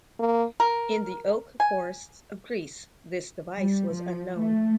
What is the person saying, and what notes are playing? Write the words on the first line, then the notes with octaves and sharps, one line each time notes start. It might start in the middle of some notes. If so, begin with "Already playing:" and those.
In the oak forests of Greece this device was unknown.
A#3
A#4
G#5
G3
F3
A3